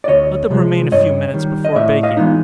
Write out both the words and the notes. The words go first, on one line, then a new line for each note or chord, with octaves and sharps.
Let them remain a few minutes before baking.
D5
D2 C#5 D#5
C3 F3 G#3
G2 C#5 D#5
D#3 G3
D#5
A2 D5 E5
D#5 F5
E3 G#3 B3 D#4